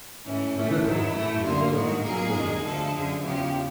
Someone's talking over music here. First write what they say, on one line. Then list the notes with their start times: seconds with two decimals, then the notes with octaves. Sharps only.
The "ribbon" of the Order was blue.
0.24 G#2 E3 A3 C#4
0.54 G2 E3 A3
0.84 G#2 D#3 F#3 E4
1.14 A2 E3 A3
1.44 D2 D3 G3 A#3 F4
1.74 G2 D#3 G#3 F#4
2.03 B2 F#3 A#3 G#4
2.34 G2 D#3 G#3
2.64 D2 D3 F3 G#3 A4
2.93 F#2 D3 F3 G#4
3.24 E2 C#3 F3 G4